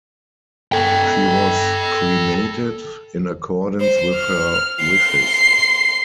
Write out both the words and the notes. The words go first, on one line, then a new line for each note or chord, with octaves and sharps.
She was cremated in accordance with her wishes.
A4 G5
C5
F6
C6 C7